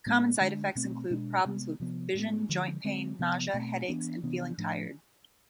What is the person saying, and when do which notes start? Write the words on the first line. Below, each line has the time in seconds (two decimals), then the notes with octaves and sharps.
Common side effects include problems with vision, joint pain, nausea, headaches, and feeling tired.
0.06 A2 G#3 B3
0.40 D3 G#3 D4
0.75 B2 A3 C4
1.10 B2 G#3 D4
1.45 C3 G#3 B3
1.80 C3 F3 B3
2.14 A2 G#3 B3
2.49 D3 F3 G#3
2.84 D3 G#3 C4
3.19 C3 F3 B3
3.54 B2 A3 C4
3.88 E3 B3 D4
4.23 C3 E3 B3 D4
4.58 A2 F3 A3 D4